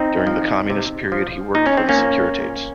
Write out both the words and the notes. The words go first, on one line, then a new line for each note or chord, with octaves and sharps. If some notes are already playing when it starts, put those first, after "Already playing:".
During the communist period, he worked for the Securitate.
Already playing: C4 D#4
F3
C3
F3
A#2 D#4
C#4
C4
A#3 C#4
F3
A#2